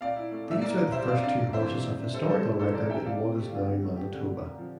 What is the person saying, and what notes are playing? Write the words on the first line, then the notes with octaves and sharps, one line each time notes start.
These are the first two horses of historical record in what is now Manitoba.
A#2 D5 F5
E4
A3
A#2 E5
E4 A#4 D5
A#3
G3 C5 E5
C3 D5 F5
D4 D5 F5
A#3
E3 C5 E5
C3
A#2
D4
G3 A4 C5
A#2 A4 C5
E4
A#3 A4 C5
F3 A#4 D5
C3 E5 G5
E4 D5 F5
C4
A3 G4
D3 F4
C4 G4
A3
F3 G4
D3
A#2
A#3
F3